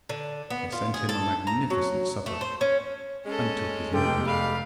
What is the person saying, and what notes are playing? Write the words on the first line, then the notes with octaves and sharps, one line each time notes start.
They sent him a magnificent supper, and took his million.
D3
B3
F4
G#4
A4
A#5
F#3
A3
C5
C#4
G#3 C#4 A4
F1 F4 G4 A4 G5
G3 G#3 F5 B5